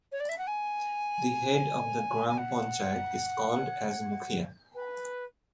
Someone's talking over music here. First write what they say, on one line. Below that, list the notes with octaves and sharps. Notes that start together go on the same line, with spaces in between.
The head of the Gram Panchayat is called as Mukhiya.
C#5
D5
E5
F#5
G#5
G#5
F#5
B4